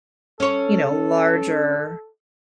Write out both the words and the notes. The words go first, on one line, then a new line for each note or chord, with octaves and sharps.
you know, larger,
C#4 A4 C#5